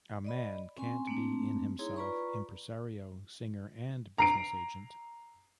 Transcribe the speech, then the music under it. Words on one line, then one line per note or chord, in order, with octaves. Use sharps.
A man can't be in himself impresario, singer, and business agent.
D5 D#5 B5
C4 C#4 G#5 C6
A3 A#3 C4 D4
D#4 E4 G#4 C#5 A#5 C6
F4 B4 D5 A#5 B5 C#6
A#5 C7 D7